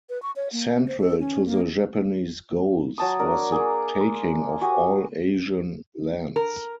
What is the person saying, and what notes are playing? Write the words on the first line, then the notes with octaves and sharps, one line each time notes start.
Central to the Japanese goals was the taking of all Asian lands.
B4
C#6
C#5
A#3
C5
A4
C#4
A#3
F#3 A5 D#6
D4 A#4
A#3 G#4
C6
F#4 G4 G#5 D#6
A#4